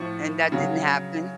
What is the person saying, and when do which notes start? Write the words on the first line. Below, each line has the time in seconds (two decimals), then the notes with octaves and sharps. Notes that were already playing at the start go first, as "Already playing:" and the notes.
And that didn't happen?
Already playing: A2 F3 C#6
0.52 C#3 F#3